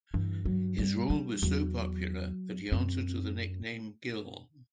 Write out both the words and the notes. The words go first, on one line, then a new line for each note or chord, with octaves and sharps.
His role was so popular that he answered to the nickname "Gil".
G2 E3
F#3
G3
G3
E2 F#3
F#2 C4